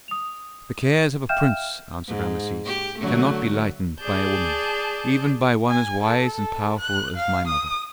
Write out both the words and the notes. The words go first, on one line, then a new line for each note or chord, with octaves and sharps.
"The cares of a prince," answered Rameses, "cannot be lightened by a woman, even by one as wise and powerful as my mother."
D#6 F7
E5 F5 G5 F6 G6 E7
G#2
G4
D3 F#3 A3
G#4 D5 A5 G6
G#5
A4
A4
F#6
F5
D#6